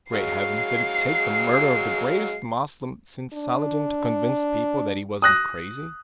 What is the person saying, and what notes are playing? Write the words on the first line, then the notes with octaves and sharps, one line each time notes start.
Great heavens, did it take the murder of the greatest Moslem since Saladin to convince people that he wasn't crazy?
F#3 G#3 F5 C7
D4
D#6 F#6 A#6